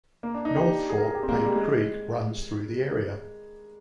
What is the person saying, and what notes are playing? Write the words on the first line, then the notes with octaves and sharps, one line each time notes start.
North Fork Paint Creek runs through the area.
A#3
D4
D#4
G4
G#4
A#4
G#4
G4
C4
A#3
G#3
G3
G#3